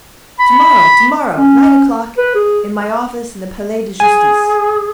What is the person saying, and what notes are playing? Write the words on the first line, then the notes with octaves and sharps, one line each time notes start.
"To-morrow!--to-morrow, at nine o'clock, in my office in the Palais de Justice."
B5
C#4
B4
G#4
G#4 G#5